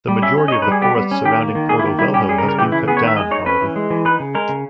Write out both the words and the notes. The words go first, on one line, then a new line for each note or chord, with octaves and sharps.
The majority of the forest surrounding Porto Velho has been cut down, however.
G3
C#4 E5
C#4
D#5
D#4 C#5
B4
G3 G#4
B3 G4
G3
C#4
D#3 G4
A#3
D#3
A#3 G#4
E4
D#3
G3 E4
C#4 G4
G3 G#4
A#4
C#3
A#4
E3 G4
C#3 E4
B3 G#4
C#5
D#3
E5
G#3 D#5
D#4 C#5
C#4 B4
E3
G#3
E3
D#4 B4
C#3
G#3 A#4
C#3